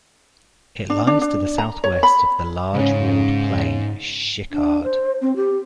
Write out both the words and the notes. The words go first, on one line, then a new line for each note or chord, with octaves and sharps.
It lies to the southwest of the large walled plain Schickard.
D4
D4
D4
A#5
C#5
B5
C2 G#2 C#3 C#4
D4
C5
C4
G4